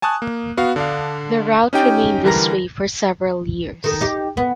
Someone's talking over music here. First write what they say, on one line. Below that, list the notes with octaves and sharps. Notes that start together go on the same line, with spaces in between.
The route remained this way for several years.
G#5 A5 C#6 D#6 F#6
A#3
B3 F#4 F5
D3 D4 F5
C#4 D#4 G4 G5
D3 E3 G3 A#4 A#5 A#6
D#3 A4
D#4 G4
B3